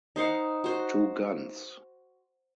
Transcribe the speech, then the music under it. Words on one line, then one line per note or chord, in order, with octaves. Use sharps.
Two guns.
D#4 C5 F5 F#5
F#4 C5